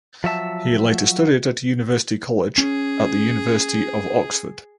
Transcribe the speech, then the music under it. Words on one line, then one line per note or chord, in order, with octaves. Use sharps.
He later studied at University College at the University of Oxford.
F3 F#3 E5 A5
C#4 G#4